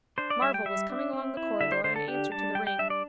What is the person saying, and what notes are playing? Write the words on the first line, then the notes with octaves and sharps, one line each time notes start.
Marvel was coming along the corridor in answer to the ring.
D4 C5
D5
G3 E5
G5
G3 E5
D4
C4
E4
D3 E5
C5
D3 C5
A4
D4 G4
G3 A5
G3 G5
G5
D4 E5
D5